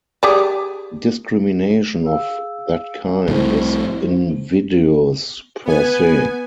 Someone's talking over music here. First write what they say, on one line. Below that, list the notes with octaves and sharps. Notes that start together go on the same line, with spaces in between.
Discrimination of that kind is invidious per se.
G4 G#4 D5
G#4 F5 E6
C2 A2 C4 E4 C5
B3 B4 G#5